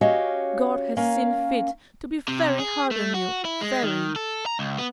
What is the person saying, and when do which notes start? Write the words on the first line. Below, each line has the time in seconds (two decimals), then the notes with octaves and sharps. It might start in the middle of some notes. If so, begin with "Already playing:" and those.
God has seen fit to be very hard on you, very.'
0.01 C#4 F#4 G4 C#5 D#5 F5
0.97 A#3 C#4 A#4 F5
2.28 C3
2.59 G#4
2.91 A3
3.14 F#4
3.45 E4
3.61 G#3
3.83 D#3
4.16 A4
4.46 A#5
4.59 C#2
4.78 B3